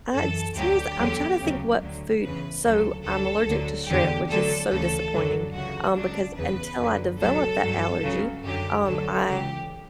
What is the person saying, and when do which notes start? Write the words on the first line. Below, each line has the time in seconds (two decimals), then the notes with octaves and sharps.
Uh, it's serious I'm trying to think what food so I'm allergic to shrimp, which is so disappointing, um, because until I developed that allergy, um, I
0.14 F#2 E3 A4
0.56 D2 D3 F#3 G4
0.97 E2 D3 F#3
1.39 D2 C#3 F#3
1.80 D2 D3 F#3
2.22 E2 C#3 E3 B4
2.63 D2 C#3 F#3 A4
3.04 D2 D3 F#3 A4
3.47 D2 D3 F#3
3.87 E2 D3 F#3 G4
4.29 D2 D3 F#3 A4
4.71 D2 C#3 E3 A4
5.13 F#2 D3 F#3
5.54 C#2 C#3 E3 F#4
5.96 C#2 C#3 F#3 D4
6.37 E2 C#3 E3 B4
6.78 F#2 D3 F#3
7.20 C#2 B2 F#3 A4
7.62 G2 F#3
8.03 C#2 C#3 F#3
8.44 F#2 D3 F#3 G4
8.86 D2 D3 F#3 A4
9.27 C#2 C#3 E3 G4